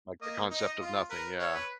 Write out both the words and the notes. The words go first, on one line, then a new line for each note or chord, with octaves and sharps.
Like, the concept of nothing, yeah.
A#3 D#5
D#4
D#5
F4
A#4 B4
C#5
B4